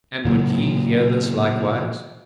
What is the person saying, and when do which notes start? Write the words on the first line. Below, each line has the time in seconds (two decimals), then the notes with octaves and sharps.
And would ye hear this likewise?
0.25 A#2 C#3 F#3 A#3